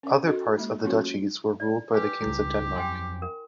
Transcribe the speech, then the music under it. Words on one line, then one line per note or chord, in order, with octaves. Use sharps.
Other parts of the duchies were ruled by the kings of Denmark.
C#4 A#4 D#5
F#4 A4 D#5
G#3 A#3 D#4
F#3 A#3 C#4 F4 F#4
D5
G4 B4 G#5
C#2 G3 E4
F2 F#3 G5 G#5 C6
A#4